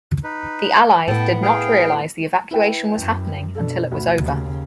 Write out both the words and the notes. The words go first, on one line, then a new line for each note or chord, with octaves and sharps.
The Allies did not realize the evacuation was happening until it was over.
D#4 B4
A2 B3 G5 A5
G#4 F5 G5
E4 B4 G5
F#2
B2 D4 A4
D2 B5
D#2 C#3